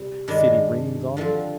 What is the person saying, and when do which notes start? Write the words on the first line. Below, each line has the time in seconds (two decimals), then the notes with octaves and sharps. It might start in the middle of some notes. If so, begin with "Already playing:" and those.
See any rings on him?
Already playing: C3 G3 C4
0.28 G2 D#3 G#3 D4
1.17 D3 F3 C4